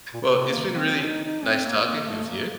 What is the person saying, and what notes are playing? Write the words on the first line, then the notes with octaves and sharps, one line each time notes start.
Well, it's been really nice talking with you.
A#2
C3
A#3
C4
D#4
D#4
C4
A#3
A#3
A3
A#3